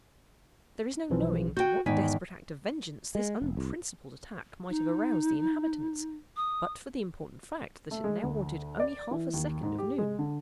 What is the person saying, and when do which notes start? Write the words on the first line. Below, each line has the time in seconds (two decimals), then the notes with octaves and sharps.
There is no knowing to what desperate act of vengeance this unprincipled attack might have aroused the inhabitants, but for the important fact that it now wanted only half a second of noon.
1.10 B1 E3 F3
1.57 F#4 G5 G6
1.86 E2 G#2 D#3 G#5 B6
3.15 G#3
3.42 F1
3.57 C2
4.70 D#4
6.37 D#6
7.91 A3
8.04 G#3
8.23 D2
8.80 D5
9.11 E3
9.33 D#2
9.63 G#2
9.78 G4
9.98 G#3
10.19 D3